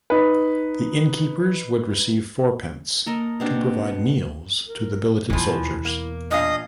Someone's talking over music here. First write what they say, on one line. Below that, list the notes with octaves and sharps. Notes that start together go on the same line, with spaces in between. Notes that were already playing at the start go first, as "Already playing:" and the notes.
The inn-keepers would receive fourpence to provide meals to the billeted soldiers.
D#4 B4
A#3 A4 A#4 D#5
B2 C4 D4
A#4
E2 B2 E3 F3 E4
A#3
A#2 D4 D#5 F5